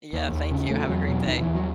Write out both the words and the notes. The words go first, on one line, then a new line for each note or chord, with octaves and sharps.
Yeah, thank you, have a great day.
D#2
D#2
C#3
E2 A3
E2 F#3
B2 F#3
D#2 D#3
E3
D#2
F#3